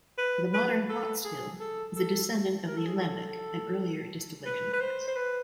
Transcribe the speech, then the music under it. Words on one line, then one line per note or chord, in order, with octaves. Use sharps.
The modern pot still is a descendant of the alembic, an earlier distillation device.
B4
B4
A4
G#4
A4
A4
A#4
A4
G#4
A4
B4
B4
C5
C5
B4